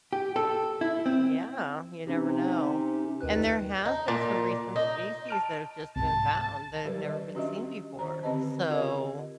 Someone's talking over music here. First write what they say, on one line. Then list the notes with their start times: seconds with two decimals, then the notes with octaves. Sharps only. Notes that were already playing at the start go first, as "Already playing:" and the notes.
Yeah, you never know. And there has been some recent species that have just been found that have never been seen before, so,
0.13 G4
0.36 A4
0.81 E4
1.06 C4
2.07 C3 C#4 D#4 G4
3.21 D#2 A#2 D#3 B4 F#6
3.85 D#4
4.08 A#2
4.76 D#4
5.29 A5 F6 D7
5.96 C2 G#2 A5
6.85 F#3 G3 G4 A#4 B4 D5
7.06 D#3 D#5
7.35 C#4 D4 F#4 G4 D#5 E5
7.99 D#3 C5 A#5
8.23 D3 C4 G4 B4 D#5 A5
8.69 F4 G4 A#4 D#5